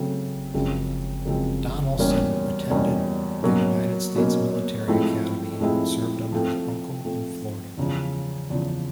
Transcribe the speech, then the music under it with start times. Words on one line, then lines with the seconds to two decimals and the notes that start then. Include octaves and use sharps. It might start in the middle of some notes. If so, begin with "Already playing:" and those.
Donelson attended the United States Military Academy and served under his uncle in Florida.
Already playing: C#3 F#3 A3 C4
0.54 F#2 C#3 F3 G#3 C4
1.25 F#2 C#3 F3 G#3 C4
1.99 E2 B2 G3 A#3 C#4
2.70 E2 B2 G3 A#3 C#4
3.43 B2 F#3 A#3 C#4
4.16 B2 F#3 A#3 C#4
4.88 A2 F3 G#3 C4 E4
5.61 A2 F3 G#3 C4 E4
6.32 F3 A3 C4
7.05 F3 A3 C4
7.77 E2 C#3 F3
8.50 E2 C#3 F3